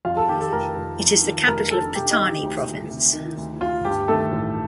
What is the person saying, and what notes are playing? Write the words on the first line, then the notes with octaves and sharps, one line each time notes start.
It is the capital of Pattani Province.
F2 F4 F5
A4 A5
D#3 G4 G5
A4 A5
F1 A#4 A#5
F1
F2
D#3
F1 A#4 A#5
F1 A4 A5
C3 G4 G5
D#4 D#5
D#3
G4
D2
D2
C3
D#3
D2
D2 F4
G2 G4
D#3 A3 A4
A1